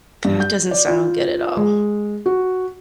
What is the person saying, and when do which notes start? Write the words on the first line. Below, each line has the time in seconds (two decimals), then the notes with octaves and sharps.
That doesn't sound good at all.
0.25 G2
0.40 G6
0.71 D5
0.88 F4
1.57 G#3
2.26 F#4